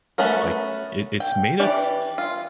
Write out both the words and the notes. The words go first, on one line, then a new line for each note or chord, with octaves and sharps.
like, it it's made us s
F#3 A3 B3 C#4 A#4
G5
E3 G4 D5
F4